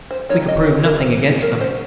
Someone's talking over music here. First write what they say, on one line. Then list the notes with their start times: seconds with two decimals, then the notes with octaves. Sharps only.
We could prove nothing against them.
0.11 C5
0.29 F3 C4 D#4 C#5
0.48 D#5
0.67 A#4
0.85 A#4
1.01 C5
1.29 G#4
1.42 F#3 A#4
1.46 C#4
1.61 C5